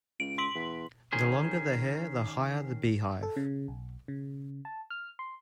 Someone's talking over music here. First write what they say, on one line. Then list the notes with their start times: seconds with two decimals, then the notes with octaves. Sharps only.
The longer the hair, the higher the beehive.
0.20 C#2 D7
0.38 C6 B6 F#7
0.55 E2
1.12 D#3 C#4 G#4 C5
3.23 A4
3.37 C#3
3.68 B1
4.08 C#3
4.65 A5
4.90 F6
5.19 C6